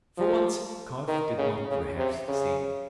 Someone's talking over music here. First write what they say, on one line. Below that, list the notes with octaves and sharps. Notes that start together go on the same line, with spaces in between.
For once Kauf did not rehearse the scene.
F3
D#3
C#3
C#3
C3
C#3